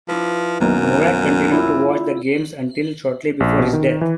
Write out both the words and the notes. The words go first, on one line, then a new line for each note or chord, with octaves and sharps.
Nowak continued to watch the games until shortly before his death.
F3 D4 E4 B4
B1 F#2 D#3 A#3
B1
E4 F4 G4
A#1
B2
D#3
E3